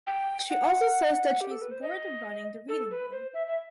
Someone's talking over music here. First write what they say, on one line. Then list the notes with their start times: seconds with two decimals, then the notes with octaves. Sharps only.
She also says that she is bored of running the reading room.
0.07 G5
0.50 F#5
1.41 G4
1.51 A4
1.61 B4
1.71 C5
1.82 D#5
2.69 A4
2.91 B4
3.12 C5
3.34 E5
3.47 E5